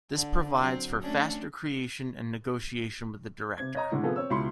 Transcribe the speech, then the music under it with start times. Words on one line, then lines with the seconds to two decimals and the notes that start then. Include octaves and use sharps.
This provides for faster creation and negotiation with the director.
0.15 D3
0.58 F#3 C4
1.02 A3 C#4 D4
3.58 C3 C4 G#6
3.75 C#5 D#5 A#5
3.91 A2 D3 G#3
4.03 C3 F3 B3 F4 G#4 A4
4.16 C4 C#5 E6
4.30 C#2 B2 E4 B5 C6 C#7